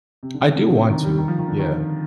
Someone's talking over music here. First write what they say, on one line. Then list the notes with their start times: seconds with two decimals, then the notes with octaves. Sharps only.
I do want to, yeah,
0.23 C3
0.34 D3
0.48 D3
0.55 C3
0.75 D3
0.90 D#3
1.04 G3
1.18 D#3
1.28 F3
1.39 D#3
1.48 D3
1.59 D#3